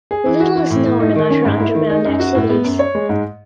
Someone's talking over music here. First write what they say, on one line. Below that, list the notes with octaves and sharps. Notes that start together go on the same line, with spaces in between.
Little is known about her underground activities.
G#4
E3
F#4
E3
A2
A2
D#4
D#3
C#4
G#2
E4
D#3
D#4
F#2
F#4
A2
B3
F#2
C#5
G#3
G#2